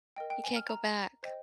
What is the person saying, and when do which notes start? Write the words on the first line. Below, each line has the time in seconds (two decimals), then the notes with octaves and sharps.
You can't go back.
0.16 A#4 D#5 G5
0.30 G5
0.44 G#5
0.56 F6
0.69 A#5
1.23 C5 D#5 G5